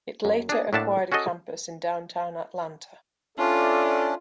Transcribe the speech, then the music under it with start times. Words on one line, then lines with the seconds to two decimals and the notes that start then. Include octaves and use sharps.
It later acquired a campus in downtown Atlanta.
0.25 F#2
0.49 D4 G#4
0.73 A2 A#3 D4 E5 F#5 A5
1.12 C#4 F#4 G#4 A4 D#5
3.38 C#4 D4 F4 A4 D5 E5